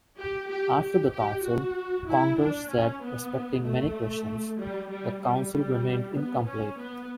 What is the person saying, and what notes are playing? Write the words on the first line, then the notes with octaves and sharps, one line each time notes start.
After the council, Congar said respecting many questions, the council remained incomplete.
G4
G4
G4
G4
F#4
E4
D4
C#4
B3
A3
G3
G3
G3
G3
B3
C#4
B3